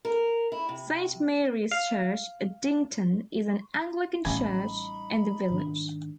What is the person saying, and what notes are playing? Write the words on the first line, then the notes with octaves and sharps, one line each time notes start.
Saint Mary's Church, Addington is an Anglican church in the village.
A#4
E4
C3
F5
A1 G3 C#4 D#4 G#5 B5
G#2 D#3 D4